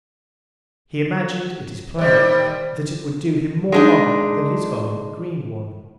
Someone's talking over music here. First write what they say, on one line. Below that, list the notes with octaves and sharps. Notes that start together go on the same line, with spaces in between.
He imagin'd, it is plain, that it would do him more Honour than his own Green one.
D#2 G3 C5
G#3 D4 D#4